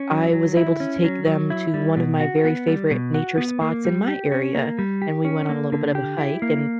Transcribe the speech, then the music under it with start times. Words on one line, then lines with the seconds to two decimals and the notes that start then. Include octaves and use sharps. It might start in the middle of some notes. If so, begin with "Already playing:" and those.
I was able to take them to one of my very favorite nature spots in my area; and we went on a little bit of a hike, and
Already playing: C#4
0.10 F#3
0.33 F#3
0.57 E4
0.80 C#4
1.04 F#3
1.27 F#3
1.50 E4
1.74 G3
1.97 B2
2.20 F#4
2.44 B3
2.67 G3
2.91 B2
3.14 F#4
3.38 B3
3.61 A#3
3.85 G3
4.08 G4
4.32 C#4
4.55 A#3
4.79 G3
5.02 G4
5.25 C#4
5.49 A#3
5.72 D3
5.95 G4
6.18 E4
6.42 A#3